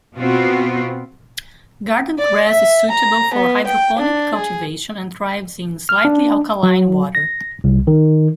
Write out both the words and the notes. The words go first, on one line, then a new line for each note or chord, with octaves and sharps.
Garden cress is suitable for hydroponic cultivation and thrives in slightly alkaline water.
B2 B3 C4 F4 F#4
D5
E5
A#5
B3
G5
D4
G#4
F6
D4
F#3
A#6
C2
D#3